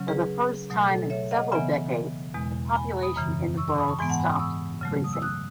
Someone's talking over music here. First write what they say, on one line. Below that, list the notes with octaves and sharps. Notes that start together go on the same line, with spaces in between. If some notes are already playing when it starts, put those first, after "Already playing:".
For the first time in several decades the population in the borough stopped decreasing.
Already playing: C#3 F#3 C#4
G#4 B4
B2 F#3 A3
A4
C#5 E5
D#5 F#5
C#3 E3 B3 E5 G#5
E2 B2 G#3
G#5 B5
B5 D#6
F#2 C#3 E3
C#6 E6
C#6 E6
B5 D#6
A5 C#6
G#2 E3 G#3 B3 G#5 B5
F#5 A5
G#5 B5
B5 D#6
C#6 E6
C#3 F#3 A3
D#6
E6
D#6 F#6